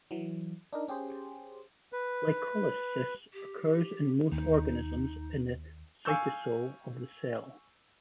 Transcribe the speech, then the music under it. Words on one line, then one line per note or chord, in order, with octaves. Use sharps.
Glycolysis occurs in most organisms in the cytosol of the cell.
E3 F#3
D4 D#4 A#4
C#4 G4 G#4 C5
B4
G4
D#2 D#4
F5 G#5 C#6 E6 G6